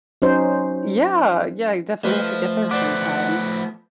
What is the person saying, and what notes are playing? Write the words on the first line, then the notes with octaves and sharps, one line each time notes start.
Yeah. Yeah, I definitely have to get there sometime.
F#3 C#4 D#4 C5
F3 A3 B4 C5 D#5
F3 B3 C5 D5 F#5 D6